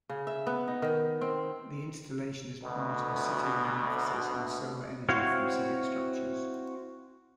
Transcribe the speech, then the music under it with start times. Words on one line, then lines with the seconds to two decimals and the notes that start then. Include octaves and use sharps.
The installation is part of a citywide emphasis on solar energy from civic structures.
0.09 C#3
0.27 E5
0.47 B3
0.68 D#4
0.82 D#3
1.21 C4
2.62 D2 B2
5.09 C4 E4 F#4 C#5 F5